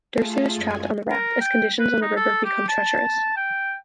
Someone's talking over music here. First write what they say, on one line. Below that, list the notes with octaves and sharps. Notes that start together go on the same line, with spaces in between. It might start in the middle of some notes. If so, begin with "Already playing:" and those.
Dersu is trapped on the raft as conditions on the river become treacherous.
A3 F4 G#4 A4
F#2 G#3 G#5
A#4
G5
B4
D#4
A4
G4
A5
G5